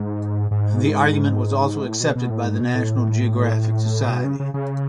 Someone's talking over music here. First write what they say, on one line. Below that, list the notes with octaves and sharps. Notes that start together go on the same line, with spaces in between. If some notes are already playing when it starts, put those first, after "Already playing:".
The argument was also accepted by the National Geographic Society.
Already playing: G#2
G#2
A2
B2
B2
A2
G#2
B2
A2
B2
C#3
C#3
C#3